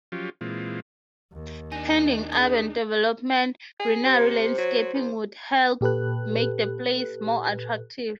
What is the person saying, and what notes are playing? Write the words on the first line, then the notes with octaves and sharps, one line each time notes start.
Pending urban development, greenery landscaping would help make the place more attractive.
F3 F#3 C#4 F4 G4
A#2 E3 G#3 C4 F4
D#2
D4 D#4 G#5 A#6
G#4 D#6 G6
G#4
C3 C5
F#3
E2
A#2 G4 A4 B4 F#6